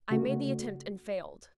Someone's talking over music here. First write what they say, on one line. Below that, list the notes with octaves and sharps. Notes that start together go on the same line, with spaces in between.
I made the attempt and failed.
C#3 A3 F#4